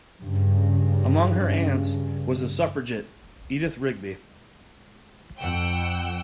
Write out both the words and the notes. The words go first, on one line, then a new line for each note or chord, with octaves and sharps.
Among her aunts was the suffragette Edith Rigby.
G2 C#3
F2 F#5 G5 E6